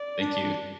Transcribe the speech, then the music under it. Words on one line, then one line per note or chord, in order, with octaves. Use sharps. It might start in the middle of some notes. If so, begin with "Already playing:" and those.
Thank you.
Already playing: D5
D4